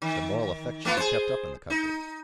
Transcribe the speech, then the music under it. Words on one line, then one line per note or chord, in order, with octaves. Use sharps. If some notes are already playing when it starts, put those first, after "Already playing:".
The moral effect should be kept up in the country.
D#3
A3 B3 F4
G#4 C5
D#4